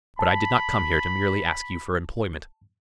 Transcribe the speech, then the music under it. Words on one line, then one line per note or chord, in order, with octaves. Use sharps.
But I did not come here to merely ask you for employment.
A5 B5